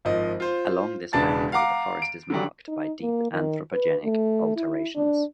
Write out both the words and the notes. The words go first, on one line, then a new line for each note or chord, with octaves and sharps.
Along this boundary the forest is marked by deep anthropogenic alterations.
G#1 F3 D#5
F4 C5
E1 C#3 D4 B4 A5 A6
F5 F#5 A#5 D6
D7
D3 F#3 G3
D#4
A#3
D#3
B4
A3
E4
D4